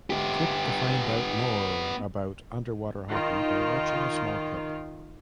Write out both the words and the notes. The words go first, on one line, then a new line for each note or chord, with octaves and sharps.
Click to find out more about Underwater Hockey by watching a small clip.
B3 G4
D#3 F4